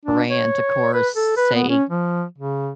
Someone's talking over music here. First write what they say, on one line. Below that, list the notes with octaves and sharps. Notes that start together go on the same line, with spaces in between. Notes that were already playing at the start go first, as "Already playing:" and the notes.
brands, of course, say,
D4
C#5
B4
A4
B4
B3
C#4
F3
C#3